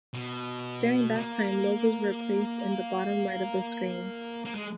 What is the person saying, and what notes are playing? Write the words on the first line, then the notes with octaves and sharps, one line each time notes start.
During that time, logos were placed in the bottom-right of the screen.
B2
A#3
A#3
G#3